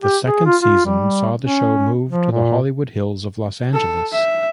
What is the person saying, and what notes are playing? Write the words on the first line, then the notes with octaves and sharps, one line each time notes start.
The second season saw the show moved to the Hollywood Hills of Los Angeles.
G4
G#4
F4
F4
G3
C#4
F3
A#2
A4
E5